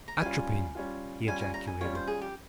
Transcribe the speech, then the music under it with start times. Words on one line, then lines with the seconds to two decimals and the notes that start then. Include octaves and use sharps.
"Atropin!" he ejaculated.
0.08 A#5
0.21 G3 C#4 F4 G#5
0.75 G3 C#4 F4
1.27 G3 C#4 F4 G#5
1.41 G#5
1.54 A#5
1.67 G#5
1.81 G3 C#4 F4 C#5
1.95 C5
2.07 G#4
2.22 G4